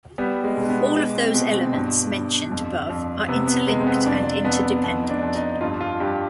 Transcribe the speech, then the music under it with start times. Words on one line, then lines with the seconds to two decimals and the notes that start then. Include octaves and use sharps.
All of those elements mentioned above are interlinked and interdependent.
0.18 G3 B3
0.44 G#3
0.57 B2
0.62 G#3
0.70 B3
0.96 G#3
1.15 C4
1.34 B2 G#3
1.54 C4
1.73 G2
2.12 G2
2.51 F2
2.90 F2
3.28 C3 B3
3.48 B3
3.67 C3 G#3
3.81 C4
3.87 B3
4.06 F2 D4
4.45 F2 B3
4.84 F2 B3
5.04 D#4
5.10 D4
5.23 F2
5.35 D#4
5.61 G2 F4
5.81 F4
6.00 G2 G4